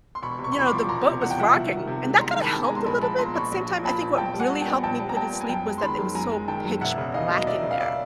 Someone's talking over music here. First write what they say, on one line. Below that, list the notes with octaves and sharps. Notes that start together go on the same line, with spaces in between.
you know, the boat was rocking, and that kinda helped a little bit. But the same time, I think what really helped me put it sleep was that it was so pitch black in there.
C6
E1 B5 C#6
C3
C#6
C6
E2 B5 C#6
C6 D6
F3
E1 A#5 C6
C3
E2 F#5
G5
F3 E5 F#5
C2
D#3
C3
G#3
C2 A#5 C6
D#3
A5 B5
C3 A5
G#5 A#5
G#3
C6
A#1 A5 B5
F3 A5 B5
A#2 A#5 C6
A#1 B5 C#6
A#1
F3
A#2 A5 B5
A#1
A#1 G5 A5
G3
F#5 G#5
A#2
G5 A5
B3
A#1 G5 A5
G3
A#5
A#2 G5 A5
B3
G#5
F#2 G5 A5
G#3
C6
D#3 A5 B5
F#2
F#2 G#5 A#5
G#3
D#3 G5 A5
F#2
E1 E5 F#5
C#3
D#2 D#5 F5
F#3 D#5
E1 D5 E5
C#3
F5
D5 E5